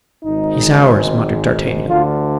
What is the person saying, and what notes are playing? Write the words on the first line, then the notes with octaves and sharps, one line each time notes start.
"He's ours," muttered D'Artagnan.
G#1 G#2 D#3 D#4
D2 D3 F4